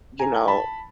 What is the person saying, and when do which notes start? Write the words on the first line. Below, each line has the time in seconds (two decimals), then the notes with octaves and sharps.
you know,
0.19 G#5 A#5
0.48 A5 B5